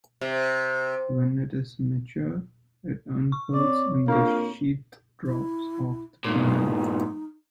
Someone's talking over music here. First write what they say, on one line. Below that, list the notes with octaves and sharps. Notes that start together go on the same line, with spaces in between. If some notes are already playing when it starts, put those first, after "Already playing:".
When it is mature, it unfurls and the sheath drops off the plant.
C3
C#6
C4 C#5 D5
A#3 D4 F4 F5
E4
G2 A#2 D#4